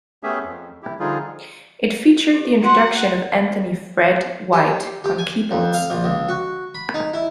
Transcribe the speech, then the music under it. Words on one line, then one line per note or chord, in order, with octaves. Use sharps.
It featured the introduction of Anthony "Fred" White on keyboards.
A3 B3 C#4 G4 G#4 E5
F2
E4 G4
D3 F3 G3 D#4 F4 G#4
G4 A4
F#4 F5 F#5 C6
G4
G4
G#5
F2
F5
A#1
C#2
F#4
B5
D#4
E4